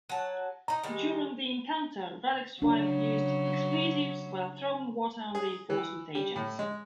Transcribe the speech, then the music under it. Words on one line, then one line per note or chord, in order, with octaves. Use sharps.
During the encounter, Ruddock's wife used expletives while throwing water on the enforcement agents.
F#3 A5
D#4 D#5 A#5
D#3 G3 G#3
C#3 F#3 D4
G#4
E3
G3
A2
G#3